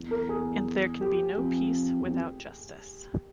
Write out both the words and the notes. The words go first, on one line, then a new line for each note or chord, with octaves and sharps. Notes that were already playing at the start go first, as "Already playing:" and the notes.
And there can be no peace without justice.
Already playing: E2
A#4
G#4
G4
F2
E2
F2